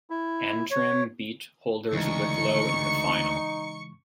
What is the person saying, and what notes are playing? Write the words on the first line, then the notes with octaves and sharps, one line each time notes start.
Antrim beat holders Wicklow in the final.
E4
C#5
D2 C#3 E3 G#3 D#4 C#6 C#7